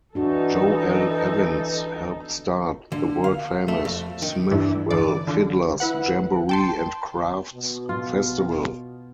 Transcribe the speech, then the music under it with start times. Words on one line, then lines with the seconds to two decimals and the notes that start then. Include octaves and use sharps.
Joe L. Evins helped start the world famous Smithville Fiddler's Jamboree and Crafts Festival.
0.15 E3 D4 D#4 F#4 A4
2.92 D3
3.24 F5
3.68 A3
3.85 F2
4.22 D#3
4.51 G2 E3 D4 E4
4.91 D3 E3 D5
5.27 D3 F4
5.80 E4 B4 F#5
6.49 G5 A5 C6
7.53 B2
7.89 F4